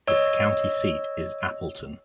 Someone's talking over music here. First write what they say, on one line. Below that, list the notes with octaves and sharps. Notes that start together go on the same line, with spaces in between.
Its county seat is Appleton.
C#5 D#5 E6